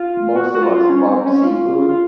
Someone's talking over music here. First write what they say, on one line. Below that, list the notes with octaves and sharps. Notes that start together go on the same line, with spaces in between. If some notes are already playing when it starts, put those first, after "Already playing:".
most of us love seafood,
Already playing: F4
F#4
F#4
F4
C#4
C4
C#4
F4
F4